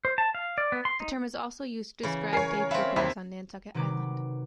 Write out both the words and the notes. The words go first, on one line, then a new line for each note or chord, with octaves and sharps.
The term is also used to describe "day-trippers" on Nantucket Island.
C5
A5
F5
D5
B3
C6
D#4
C#3 E3
A#4 C#5 G#5 C7
C4 C#4 B4 E5 F5
D#2 C3 E4 E5
C3 D#3 F#3 B4 D6